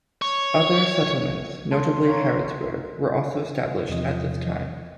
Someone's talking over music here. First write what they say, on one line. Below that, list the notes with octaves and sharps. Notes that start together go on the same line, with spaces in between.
Other settlements, notably Harrodsburg, were also established at this time.
C#5
A4 A5 C6
C#5 F5 G#5 A#5
E2 C3 F3 D#5